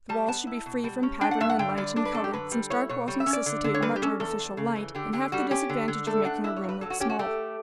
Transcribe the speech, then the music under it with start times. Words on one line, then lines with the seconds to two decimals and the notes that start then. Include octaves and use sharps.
The walls should be free from pattern and light in color, since dark walls necessitate much artificial light, and have the disadvantage of making a room look small.
0.09 G3 A5
0.28 B3 A5
0.47 E4
0.66 B2
0.84 G3
1.03 C#4
1.21 D4 G5
1.31 F#5
1.40 G2 E5
1.50 F#5
1.59 D3 G5
1.77 G3 D5
1.96 D4 D5
2.05 B4
2.14 F#2 A4
2.24 G4
2.33 D3 B4
2.52 G3
2.70 E4 C#5
2.89 B2 C#5
3.08 G3 C#5
3.20 E5
3.26 C#4
3.33 D5
3.46 D3
3.64 D3
3.74 C#5
3.82 G3 B4
3.96 G4
4.02 C#4 A4
4.20 E2 A4
4.39 E2
4.57 C#3
4.76 E3
4.95 D3 G4
5.13 D3 G4
5.32 G3 F#4
5.51 C#4 G4
5.69 D3
5.88 D3
6.07 A3 A4
6.25 D4 F#5
6.44 E4 E5
6.56 C#5
6.64 G2
6.69 B4
6.81 F#3 A4
6.90 F#4
7.00 C#4 G4
7.09 F#4
7.19 A3 G4